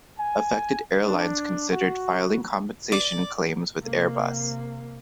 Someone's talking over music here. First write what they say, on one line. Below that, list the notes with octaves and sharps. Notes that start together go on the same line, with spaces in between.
Affected airlines considered filing compensation claims with Airbus.
G#5
D4
F#4
D5
C3 A#3